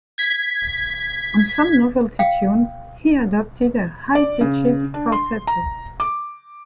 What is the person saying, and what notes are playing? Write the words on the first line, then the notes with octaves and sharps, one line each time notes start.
On some novelty tunes he adopted a high-pitched falsetto.
G#6 B6
F5 G5
D5
C#3
D4
C6
A#5
D6